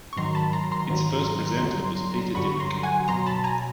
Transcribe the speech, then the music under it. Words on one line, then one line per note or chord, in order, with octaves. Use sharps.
Its first presenter was Peter Dimmock.
C#6
G#2 D#3 F#3 A#5 C6
A5 B5
A#5 C6
A#5 C6
G#2 D#3 F#3
G2 D3 F#3
G2 D3 F#3 B5 C#6
A#5 C6
F#5 G#5
B2 F#3 A#5 C6
A5 B5
G#5 A#5